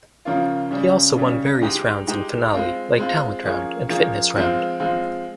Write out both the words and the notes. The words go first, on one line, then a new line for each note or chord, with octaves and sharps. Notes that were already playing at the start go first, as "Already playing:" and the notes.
He also won various rounds in finale like talent round and fitness round.
C#3 F3 A#3 C#4 F4
C#3 G3 C#4
C#3 G3 C#4
G#3 D#4 G4
G#3 D#4 G4
G#3 C4 F4
G#3 C4 F4
F3 A#3 C#4 G#4
F3 A#3 C#4 G#4
F3 G#3 C4 F4
F3 G#3 C4 F4